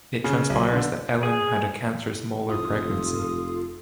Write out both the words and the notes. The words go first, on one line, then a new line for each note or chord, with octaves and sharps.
It transpires that Ellen had a cancerous molar pregnancy.
C#3
B1
D3
G#4
F1 F4 A4 D#6